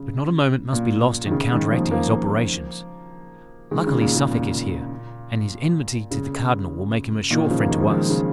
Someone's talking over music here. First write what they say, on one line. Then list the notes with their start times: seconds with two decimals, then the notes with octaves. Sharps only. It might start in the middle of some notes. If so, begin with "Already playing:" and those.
But not a moment must be lost in counteracting his operations. Luckily, Suffolk is here, and his enmity to the cardinal will make him a sure friend to us.
Already playing: C#3
0.73 A#2
1.26 D#3
1.31 C#3
1.52 D#3 G#3
1.71 F3 A#3
1.91 F3 A#3
3.71 D#3 G#3
3.87 C#3
4.01 A#2
4.16 C#3
4.31 A#2
6.11 C#3
7.30 A#2 D#3
7.50 C#3 F3
7.61 A#3
7.70 D#3 G#3
7.80 F3
7.90 D#3 G#3
8.10 C#3